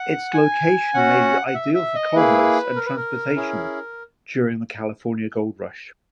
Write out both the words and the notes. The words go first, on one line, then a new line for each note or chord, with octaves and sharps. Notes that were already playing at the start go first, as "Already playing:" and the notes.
Its location made it ideal for commerce and transportation during the California Gold Rush.
Already playing: F#5
G#5
C#4 F#4 F#5
F#5
E5
E5
D#5
A#3 E4 G#4 B4
A#4
B4
A#4
C#4 E4 G#4